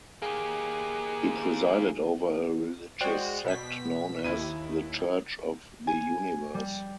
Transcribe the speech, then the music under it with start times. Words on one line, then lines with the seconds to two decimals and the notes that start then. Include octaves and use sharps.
He presided over a religious sect known as the Church of the Universe.
0.22 A#3 G4 G#4
3.01 G#3 F#4 C5 D5 G5
3.44 B2 B6
4.24 D#2 E4 D#7
5.87 G#5
6.54 G3